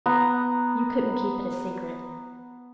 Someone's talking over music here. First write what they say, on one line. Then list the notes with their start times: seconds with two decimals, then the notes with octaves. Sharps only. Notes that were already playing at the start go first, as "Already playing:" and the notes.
You couldn't keep it a secret.
0.06 B3 A#5